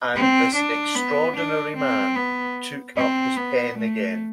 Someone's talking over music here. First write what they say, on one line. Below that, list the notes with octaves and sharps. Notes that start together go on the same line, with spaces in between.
And this extraordinary man took up his pen again.
C4
D4
B3
D4
C4
B3
C4
B3
A3